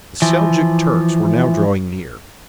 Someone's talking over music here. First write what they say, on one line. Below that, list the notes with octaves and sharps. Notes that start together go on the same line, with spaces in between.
The Seljouk Turks were now drawing near.
E3 F3